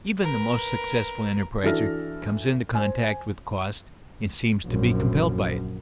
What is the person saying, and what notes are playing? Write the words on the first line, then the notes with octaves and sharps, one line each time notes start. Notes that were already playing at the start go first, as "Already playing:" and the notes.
Even the most successful enterpriser comes into contact with cost, and seems to be compelled by it.
A#4 B4
E3 D4 F#4 A4 F6 A#6
C5 G#5
A#1 F#2